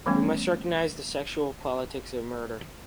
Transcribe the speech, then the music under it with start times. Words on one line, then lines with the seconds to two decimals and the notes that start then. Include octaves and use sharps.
We must recognize the sexual politics of murder.
0.06 E3 G3 A3 B3 C#4